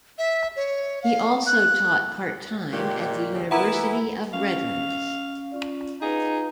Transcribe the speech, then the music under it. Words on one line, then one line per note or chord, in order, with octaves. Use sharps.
He also taught part-time at the University of Redlands.
E5
C#5
F5
F#6
A#2 D#3 G#3 G4
E2 G2 C#3
E3 B3 E4 B4 F#5 A#5
C#4 F5
C#4 F4 D5
D#4 F4 G#4 B4 F5